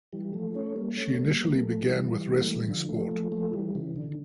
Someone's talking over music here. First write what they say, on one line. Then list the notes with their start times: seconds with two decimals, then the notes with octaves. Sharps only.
She initially began with wrestling sport.
0.13 E3 G3
0.33 F3 A3
0.54 A3 C#4
0.76 G3 A#3
0.97 A3 C#4
1.18 G3 A#3
1.40 G3 A#3
1.61 F3 A3
1.83 E3 G3
2.31 A#3
2.44 A3
2.56 G3
2.68 D3 F3
2.89 F3 A3
3.11 F3 A3
3.32 F3 A3
3.53 E3 G3
3.75 C#3 E3
3.96 D3